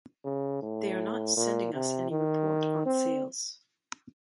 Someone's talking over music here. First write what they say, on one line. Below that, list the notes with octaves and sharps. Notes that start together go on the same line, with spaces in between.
They are not sending us any report on sales.
C#3
A2
A#2
C3
D#3
C4